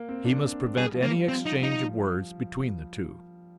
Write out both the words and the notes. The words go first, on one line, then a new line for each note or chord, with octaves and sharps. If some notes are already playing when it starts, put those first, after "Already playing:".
He must prevent any exchange of words between the two.
Already playing: A#3
C4
D4
G3 G#4
F3
A#3
G3
C4
D#4
D#4